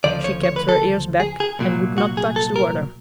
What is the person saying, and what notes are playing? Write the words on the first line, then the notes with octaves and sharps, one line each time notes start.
She kept her ears back and would not touch the water.
D2 C#3 F3 D5
C#5
C#5
B4
A4
G#4
G#4
C2 A#2 F#3
F#4
G#4
A4
A#4